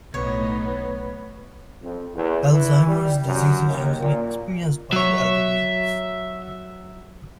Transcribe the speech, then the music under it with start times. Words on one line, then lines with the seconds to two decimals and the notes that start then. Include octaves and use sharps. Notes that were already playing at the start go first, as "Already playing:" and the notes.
Alzheimer’s disease is usually experienced by the elderly.
0.14 B1 A2 A3 B3 D#4 C#5
1.82 F2
2.14 E2
2.51 E3
2.87 G3
3.26 F#2
3.68 D#2
4.00 A#2
4.93 F#3 C#5 E5